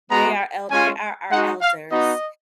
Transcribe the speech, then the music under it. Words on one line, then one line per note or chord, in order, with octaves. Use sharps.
they are el they are our elders,
G#3 B3 F#4 A#5
G#3 C#4 F4 G#5
G#3 D#4 F#4 F#5
F5
B3 D#4 F#4 D#5